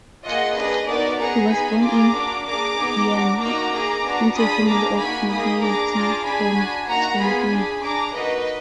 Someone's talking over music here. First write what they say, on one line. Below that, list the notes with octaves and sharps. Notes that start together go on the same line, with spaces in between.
He was born in Vienna into a family of nobility from Trentino.
A#3 F4 G#4 D#5 F#5
D4 G#4 B4 D#5
B3 D#4 F#4 A#4 D5
B3 D#4 G#4 F#5 A#5
B3 D#4 G#4 G#5 B5
A#3 F4 G#4 A#5 D6
A#3 D4 F#4
A#3 D4 G#4 A#5 D6
B3 D#4 G#4
D4 F#4
A#3 D#4 F#4 A#5 D6
A#3 D#4 G#4
B3 D4 F#4
D4 F4 G#4 B5 D#6
A#3 D4 G#4 A#5 D6
A#3 D#4 F#4 G#5 B5
A#3 D#4 G#4 B5 D#6
D4 G#4 A#5 D6
D4 F4 G#4
D4 G#4 G#5 B5
D4 F#4
A#3 D#4 F#4 F#5 A#5
B3 F4 G#4 G#5 B5
D4 G#4
D4 G#4 A#5 D6
A#3 D#4 F#4 B4 D#5